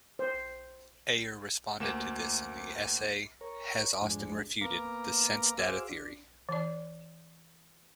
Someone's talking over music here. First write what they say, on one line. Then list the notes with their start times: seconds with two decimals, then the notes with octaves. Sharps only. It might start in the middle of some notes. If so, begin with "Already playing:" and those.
Ayer responded to this in the essay Has Austin Refuted the Sense-data Theory?
0.19 C5
1.80 D2 A#3 E7
3.41 A#4 C#5
4.02 F2 G#2 G#3 D4
4.61 A#3 B3 F5 A#5 D6
5.58 F#4 G#4 C5 F5 D6 E6
5.89 D4
6.49 E3 D5